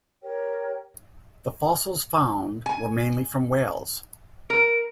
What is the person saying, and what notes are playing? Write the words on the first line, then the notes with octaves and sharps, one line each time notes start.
The fossils found were mainly from whales.
G4 A#4 C#5 G5
G#5
A#4 D7